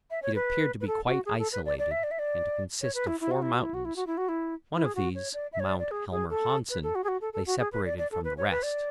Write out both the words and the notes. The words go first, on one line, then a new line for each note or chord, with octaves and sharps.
It appeared to be quite isolated, and to consist of four mountains; one of these -- Mount Helmer Hanssen -- lay separated from the rest.
E5
C#5
B4
B4
A4
F#4
G#4
A4
B4
D5
D5
E5
D5
E5
D5
C#5
B4
E4
E4
F#4
E4
F#4
E4
F#4
E4
F#4
E4
F#4
E4
E4
G#4
F#4
C#5
D5
E5
C#5
D5
D5
G#4
G#4
A4
B4
A4
F#4
G#4
F#4
A4
A4
F#4
G#4
B4
D5
D5
A4
B4
C#5
B4
D5